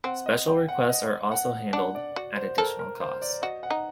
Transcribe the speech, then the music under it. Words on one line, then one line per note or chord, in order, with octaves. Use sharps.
Special requests are also handled, at additional cost.
C4 F#5
D#5
G5
F#5
D#5
F#5
D4 F#5
D5
F#4
C5
A4 A#4
A#4
C5
D5
F#4 D#5
F#5
D#4